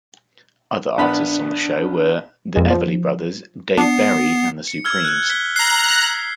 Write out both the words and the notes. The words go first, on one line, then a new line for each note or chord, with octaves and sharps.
Other artists on the show were The Everly Brothers, Dave Berry and The Supremes.
A#1 B3 D4 B5
F2 G#3
F3
B3 D4 C7
C#7
E6 F6 G#6
F#6 G#6
B6 G7
A#5 F#6 C7